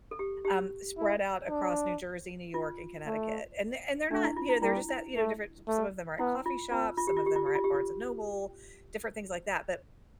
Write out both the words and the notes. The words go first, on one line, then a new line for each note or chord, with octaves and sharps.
um, spread out across New Jersey, New York, and Connecticut, and they're they're not You know, they're just at, you know, different s Some of them are at coffee shops, some of them are at Barnes and Noble, different things like that, but
A4
G4
G4
E4
D4
F4
A3
A3 D4
E4
F4
E4
G3 E4
E4
A3
A3
B3 E4
F4
C4 F4
F4
G4
F4
G4
F4
G4
F4
G4
F4